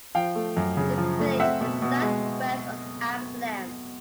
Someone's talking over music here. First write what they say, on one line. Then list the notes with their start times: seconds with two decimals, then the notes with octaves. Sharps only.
The village is southwest of Amsterdam.
0.15 F3 F5 G5
0.35 A3
0.57 F#2
0.77 C#3
0.98 F3
1.19 A3
1.40 C4 E5 F#5
1.61 B2
1.82 B2
2.02 G#3